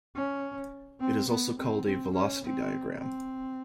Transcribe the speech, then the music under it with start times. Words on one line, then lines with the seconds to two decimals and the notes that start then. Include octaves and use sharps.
It is also called a velocity diagram.
0.15 C#4
1.00 C4
1.28 B3
1.58 C4
1.85 C4
2.13 C#4
2.43 C4
2.99 C4